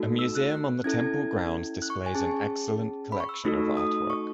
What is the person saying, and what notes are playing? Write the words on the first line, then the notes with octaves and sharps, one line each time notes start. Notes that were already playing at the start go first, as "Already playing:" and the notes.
A museum on the temple grounds displays an excellent collection of artwork.
Already playing: A3 D#4 F#4 A4
E6
F#6
F#6
C#4 E4 A4 G#6
F#6
C#6
G#5
C#4 G#4 A5
B5
C#6
E6
A3 D#4 F#4 A4
D#6
C#6